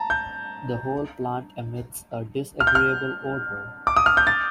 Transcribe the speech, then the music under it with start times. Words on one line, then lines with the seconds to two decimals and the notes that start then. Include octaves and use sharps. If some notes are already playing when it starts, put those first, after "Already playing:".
The whole plant emits a disagreeable odour.
Already playing: A5 A#5
0.10 G6
2.60 F6
2.67 G6
2.75 F6
3.87 D6
3.96 D#6
4.06 F6
4.17 G6
4.27 A6